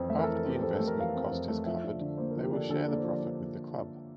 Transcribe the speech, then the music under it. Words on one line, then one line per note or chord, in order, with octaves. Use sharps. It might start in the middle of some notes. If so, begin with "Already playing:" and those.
After the investment cost is covered they will share the profit with the club.
Already playing: F2 E3 C4
A3 E5
A#4
A4
E3
A4
C4 G4
F2 A4
A4
A3
A#4
E3 F5
C4
F2
A3
F3 E5
D4
D3
A#3 C5
A#4
F3
G4
D4 A4
D3 A4
A4
A#3 D5
C5
F3 D5
D4